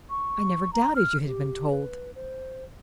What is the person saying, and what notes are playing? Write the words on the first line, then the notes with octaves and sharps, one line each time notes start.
I never doubted you had been told.
C#6
A#5
F6
G4
B4
C5